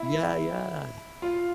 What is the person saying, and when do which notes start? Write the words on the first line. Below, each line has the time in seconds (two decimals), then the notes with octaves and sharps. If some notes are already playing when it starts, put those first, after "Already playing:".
Yeah, yeah.
Already playing: E4
1.22 F4